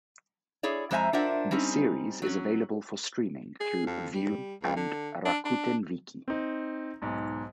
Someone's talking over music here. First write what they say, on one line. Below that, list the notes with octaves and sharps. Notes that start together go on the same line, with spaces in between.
The series is available for streaming through Viu and Rakuten Viki.
E4 G#4 C#5 D5
F2 G#3 C5 E5 G#5 A#5
D4 F4 A#4 C5 E5 F#5
G3 C4 C#4 D#4
F#3 C#4
G#4
F2
G3
C#2
D3
D4
D4
C4 D#4
B1 G#2